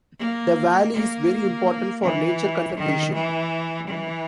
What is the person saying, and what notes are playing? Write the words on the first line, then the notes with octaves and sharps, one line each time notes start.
The valley is very important for nature conservation.
A#3
A#3
E3
D#3
E3
E3